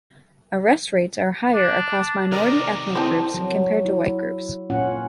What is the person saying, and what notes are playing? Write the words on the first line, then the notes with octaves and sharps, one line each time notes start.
Arrest rates are higher across minority ethnic groups compared to white groups.
D4
C3 D#3 A#4 D5
C4 E4 G4 A4 C5 A5
F#3
E4
A#2 C#4 F4 F#5